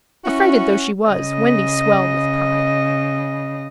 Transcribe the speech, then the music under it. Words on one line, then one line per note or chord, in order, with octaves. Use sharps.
Affrighted though she was, Wendy swelled with pride.
C#4 E4 F#4
C#3 D#5